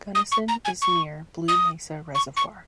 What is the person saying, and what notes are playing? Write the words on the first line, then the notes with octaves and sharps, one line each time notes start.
Gunnison is near Blue Mesa Reservoir.
D#6
C#6
A#5
G#5
C#6
D#6
C#6
C#6